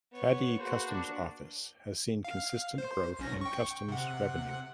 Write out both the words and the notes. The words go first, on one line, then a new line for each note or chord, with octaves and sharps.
Thadi Customs Office has seen consistent growth in customs revenue.
B3 C#5
A#3 F#4 G#4 B4 C5
D4
F5
C5
B1 C#4 A#6
G5 C#6
C3 F#5